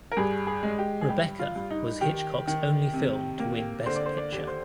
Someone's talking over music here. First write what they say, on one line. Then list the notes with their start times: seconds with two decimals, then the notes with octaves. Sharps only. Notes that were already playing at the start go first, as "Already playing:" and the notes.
"Rebecca" was Hitchcock's only film to win Best Picture.
0.12 A#4
0.17 G2 G#4
0.47 G#4
0.63 G#3
0.78 G4
1.01 G#4
1.09 G2 G4
1.39 F4
1.56 G2
1.71 D#4
2.01 D#3 G4
2.47 D#3
2.93 C3
3.39 A#3
3.86 D3 C5
3.96 D5
4.06 C5
4.17 D5
4.32 D#2
4.47 C5